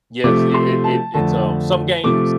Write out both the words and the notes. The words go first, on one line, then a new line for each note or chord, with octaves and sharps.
Yes, yeah, it it it's, um some games
C3 F3 A3 D6
C6
A5
F2 D3 A3 A5
C3 F3 A3 D6